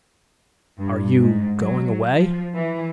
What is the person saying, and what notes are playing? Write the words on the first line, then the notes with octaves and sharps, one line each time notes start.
"Are you... going away?"
G2
G#2
F#3
F3
E3